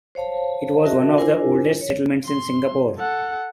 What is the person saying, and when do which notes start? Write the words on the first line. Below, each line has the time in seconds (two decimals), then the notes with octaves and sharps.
It was one of the oldest settlements in Singapore.
0.15 C5 C#5 F5 A5
0.85 F#4 A#4 D#5 E5 A5
1.18 D4 E4 F4 A#4 C5 G#5
1.81 C#5
2.25 C6
2.98 A4 F#5